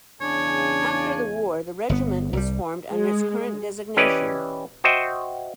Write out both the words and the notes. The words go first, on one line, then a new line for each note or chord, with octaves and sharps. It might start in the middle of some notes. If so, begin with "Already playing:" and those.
After the war, the regiment was formed under its current designation.
E2 C#3 D4 C#5 G#5
G1 D3 B3
C2 G3
G#3
E3 C#4 G4 B4 D5 D#5
F#4 C5 D#5 E5 G5